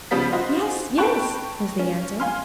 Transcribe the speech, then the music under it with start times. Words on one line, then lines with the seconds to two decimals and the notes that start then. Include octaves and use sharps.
"Yes, yes," was the answer.
0.11 C#3 F3 G3 B3 B6
0.32 F4 F#4 C5 D#5
0.98 G5 A5 B5 C#6 F#6
1.79 C#4
2.20 F5 G#5 C6 F6